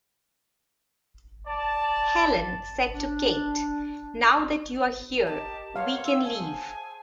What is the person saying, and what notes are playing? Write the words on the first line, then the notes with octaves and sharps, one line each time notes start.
Helen said to Kate, Now that you're here, we can leave.
D5 A5
D4
G4 A#4 D#5 A5
B4 C#5 F5 F#5 C6
C#5 E5 F#5 E6
G#4 C5 G#5 A5